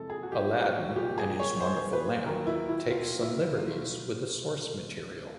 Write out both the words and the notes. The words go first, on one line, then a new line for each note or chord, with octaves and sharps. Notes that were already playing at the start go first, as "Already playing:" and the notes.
"Aladdin and His Wonderful Lamp" takes some liberties with the source material.
Already playing: F2 C3 E3 G#3 C4 A4
G#4
F#4
G4
F#4
C2 A#2 F3 G4
G#4
C#5
C5
B4
D#2 D#3 F#3 A#4
E4
E4
F4
E4
B2 F#3 A3 F4